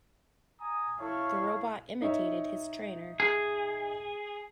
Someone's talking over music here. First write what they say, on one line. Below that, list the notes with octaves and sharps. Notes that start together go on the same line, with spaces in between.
The robot imitated his trainer.
G#5 A#5 D#6
E4 A4 C#5 F5
D#4 C#5 E5
G#4